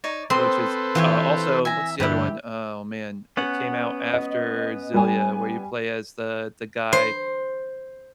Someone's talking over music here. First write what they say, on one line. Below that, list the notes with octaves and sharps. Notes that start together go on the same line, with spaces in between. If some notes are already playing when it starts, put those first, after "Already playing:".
which is, uh, also what's the other one? Oh, man. It came out after Xillia where you play as the the guy,
D#4 C#5 D5
C4 A4 B4 C5 C6 D#6
E3 F4 G4 C#5
E5 G#5 A#5
G2 D3 E4 G4 B4
B3 C#4 F#5
D#5
G3 G#5
C5